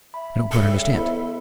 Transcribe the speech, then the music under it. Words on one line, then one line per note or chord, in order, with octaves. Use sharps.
"I don't quite understand."
E5 B5
C#3 G3 A4
E2 B3 E4 C5 D#5 B5